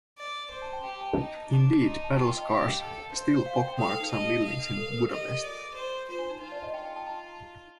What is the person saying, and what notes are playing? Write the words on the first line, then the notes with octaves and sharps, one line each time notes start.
Indeed, battle scars still pockmark some buildings in Budapest.
D5
C5 C6
A5
G5
G4 G5
A5
D#4
D4
D#4 C6
A#5
A5
F4 G5
G5
D#5
G4 F5
A4
C5
F5
G5
G5
A4 F5
A4
D#4
G4 D#5
F5
A4
A#4
A4
G4 D#5
D5
C5
F4 C5
D4
D#4
D#4 F4
D5
D#5
F4 G5
G5
A5
A#5